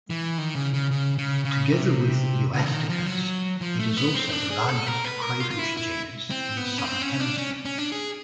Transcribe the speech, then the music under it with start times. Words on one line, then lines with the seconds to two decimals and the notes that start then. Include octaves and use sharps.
Together with "Euastacus", it is also the largest crayfish genus in the Southern Hemisphere.
0.10 E3
0.38 D#3
0.55 C#3
0.73 C#3
0.91 C#3
1.18 C#3
1.45 C#3
1.72 C3
2.54 C#3
2.63 E3
2.71 D#3
2.89 F3
3.06 F#3
3.61 F3
3.79 A3
3.97 B3
4.15 C4
4.33 D4
4.50 G#4
4.68 A4
4.87 A#4
5.04 B4
5.22 A#4
5.40 F4
5.50 F4
5.59 E4
5.77 E4
6.30 C4
6.57 B3
6.78 C#4
6.84 C4
7.02 C#4
7.20 D4
7.38 C#4
7.65 C#4
7.78 D4
7.92 G#4